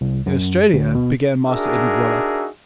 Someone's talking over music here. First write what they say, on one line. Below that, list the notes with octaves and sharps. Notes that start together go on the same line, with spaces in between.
'In Australia--' began Master Edward Waller.
C2
F#2
D2
B2
D4 D#4 F#4 G#4 A#4 E5